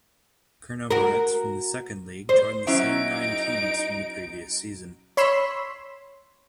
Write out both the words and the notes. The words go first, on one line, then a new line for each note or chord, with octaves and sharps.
Chernomorets from the second league joined the same nine teams from the previous season.
F#4 A#4
C5
F#3 C#4 D#4 E4 D7
C#5 B5 C6 E6